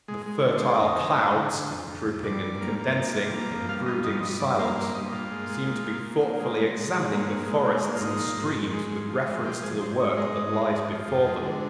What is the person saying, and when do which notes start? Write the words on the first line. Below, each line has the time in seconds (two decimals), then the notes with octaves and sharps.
The fertile clouds, drooping and condensing in brooding silence, seem to be thoughtfully examining the forests and streams with reference to the work that lies before them.
0.08 G#3
0.26 G#3
0.44 D3
0.57 C5
0.63 G#3
0.68 D5
0.81 F2 D#5
0.98 D3
1.17 G#3
1.34 D3
1.52 D3
1.70 F2
1.88 F2
2.06 F2
2.24 G2 D5
2.42 G2
2.61 A#3
2.79 A#3
2.97 F3
3.15 G2
3.33 A#3
3.51 F3
3.68 G2 F5
3.86 F3 D#5
4.04 G2 D#5
4.22 G2 D#5
4.40 G2 D5
4.59 A#3 C5
4.76 G2 C5
4.94 G2 D#5
5.12 A#2 F4
5.31 G#3
5.49 G#3
5.67 A#2
5.84 A#2
6.02 A#2
6.20 A#2
6.39 G#3
6.57 G#3
6.75 G#3
6.93 G#3
7.10 A#2
7.29 G#3
7.46 G#3
7.65 A#2
7.83 A#2
7.95 F4
8.01 G#2 D#4
8.18 F3
8.37 G#2
8.55 G#2
8.73 G#3
8.92 G#2
9.09 F3
9.27 G#3
9.45 F3 G4
9.63 G#2 G#4
9.81 G#2 C5
9.99 G#2 D#5
10.17 G#3 D#5
10.36 G#2
10.54 G#3
10.71 G#2
10.90 F3
11.07 F2
11.26 G#3
11.44 D3